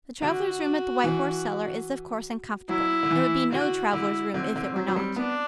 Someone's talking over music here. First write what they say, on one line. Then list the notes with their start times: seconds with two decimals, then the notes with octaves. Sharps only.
The travellers' room at the White Horse Cellar is of course uncomfortable; it would be no travellers' room if it were not.
0.21 D3 F#4
1.04 E3
2.69 F#3 E4
3.03 D3
3.11 E3
3.52 D3 F#4
3.92 D3 E4
4.34 D3 C4
4.56 D3
4.76 F#3
4.88 F#3
4.96 G3
5.16 B3 D4